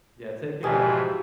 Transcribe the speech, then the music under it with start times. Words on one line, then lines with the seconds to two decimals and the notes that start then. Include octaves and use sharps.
Yeah, take care.
0.63 G#2 B2 E3 F3 F#4 G4 G#5 D#6